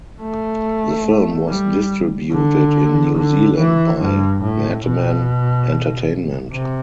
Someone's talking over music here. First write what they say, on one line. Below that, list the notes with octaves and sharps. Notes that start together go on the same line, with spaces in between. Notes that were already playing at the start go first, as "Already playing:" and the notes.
The film was distributed in New Zealand by Madmen Entertainment.
A3
G3
D3
D3
E3
G2
A2
B2
C3